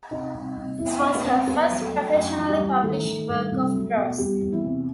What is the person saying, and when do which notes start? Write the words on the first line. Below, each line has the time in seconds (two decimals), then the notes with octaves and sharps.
This was her first professionally published work of prose.
0.11 C3 D#4 D#5
0.34 C2
0.57 C2
0.79 E2 E4 E5
1.01 B2 D#4 D#5
1.15 B4
1.24 E2 C4 C5
1.47 E2 B3 B4
1.69 F#3
1.81 A3 A4
1.93 F#3
2.16 F#2
2.37 E3
2.49 G3 G4
2.60 E3
2.82 D#3 A3 A4
3.05 D#3
3.29 G2
3.52 C2
3.73 F#3
3.96 B2
4.18 E2 G3 G4
4.41 E2
4.52 E3 E4
4.64 C3